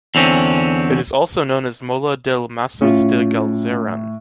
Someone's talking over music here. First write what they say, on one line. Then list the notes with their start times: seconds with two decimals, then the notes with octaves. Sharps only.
It is also known as Mola dels masos de Galzeran.
0.15 E2 D3 C4 C#4
2.82 A2 C#4 F4